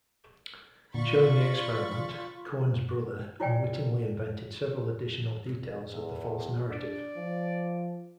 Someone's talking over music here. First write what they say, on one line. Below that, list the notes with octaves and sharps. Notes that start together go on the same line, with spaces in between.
During the experiment, Coan's brother unwittingly invented several additional details of the false narrative.
A#2 D3 F4 D5 B5 C#6 A6
E4 F4 C#5 D5 G5 G#5
E2
D4 D5
F3